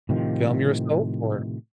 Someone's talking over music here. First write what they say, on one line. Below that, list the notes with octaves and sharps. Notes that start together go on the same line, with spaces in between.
film yourself or
A2 C3 D#3 F3